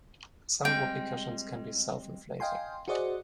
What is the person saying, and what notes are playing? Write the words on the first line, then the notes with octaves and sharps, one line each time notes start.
Some whoopee cushions can be self-inflating.
G3 G#3 C4 G5
D#5 F5 G5 G#5 C6
F#4 G#4 C5 D5 D#5 F#5